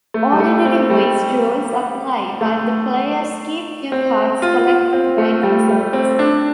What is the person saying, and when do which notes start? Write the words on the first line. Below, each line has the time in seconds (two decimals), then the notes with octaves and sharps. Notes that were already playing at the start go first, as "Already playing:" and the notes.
Ordinary whist rules apply, but the players keep their cards collected by themselves.
0.14 A3
0.32 G3
0.40 A3
0.65 C4
0.90 G3
2.41 A3
3.92 C4
4.42 F4
4.67 F4
4.93 C4
5.18 A3
5.43 G3
5.68 A3
5.93 C4
6.19 D4